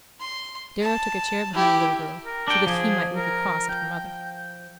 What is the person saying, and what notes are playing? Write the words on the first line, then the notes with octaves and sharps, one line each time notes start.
Darrow took a chair behind the little girl, so that he might look across at her mother.
C6
A5
E4 G4
A#4
D4 G5
F3 G#4
A#4
G5